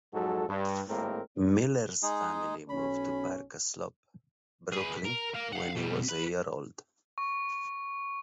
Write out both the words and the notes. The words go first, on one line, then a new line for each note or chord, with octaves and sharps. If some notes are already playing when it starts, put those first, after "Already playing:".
Miller's family moved to Park Slope, Brooklyn when he was a year old.
F2 G#2 F#3 F#4 A4
G2
G#1 A2 G#3 A#3 C4 A#4
G#3 D#4 G#4
B1 C#4 B5
G#4 B4
A#4
A#4 F5
F5 F#5
B2 G3
B4
C#6